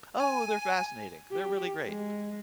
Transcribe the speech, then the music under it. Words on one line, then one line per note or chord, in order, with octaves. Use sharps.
Oh, they're fascinating, they're really great.
G#5
G4
G#3